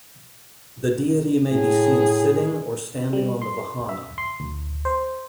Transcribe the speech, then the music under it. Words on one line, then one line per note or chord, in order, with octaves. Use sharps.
The deity may be seen sitting or standing on the vahana.
A2 G#4
G3
C6
E5
C6
D2
C5